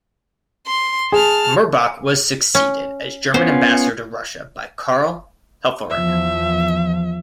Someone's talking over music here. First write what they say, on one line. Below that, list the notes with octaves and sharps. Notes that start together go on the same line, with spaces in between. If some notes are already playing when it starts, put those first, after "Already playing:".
Mirbach was succeeded as German ambassador to Russia by Karl Helfferich.
C6
G#4 A5 F6
C#4
B3 C#4 F4 C5
E2 F3 E5